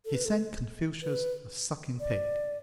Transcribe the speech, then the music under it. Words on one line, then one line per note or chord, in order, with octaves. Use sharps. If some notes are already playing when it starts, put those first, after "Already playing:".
He sent Confucius a sucking pig.
A4
B4
A4
B4
D5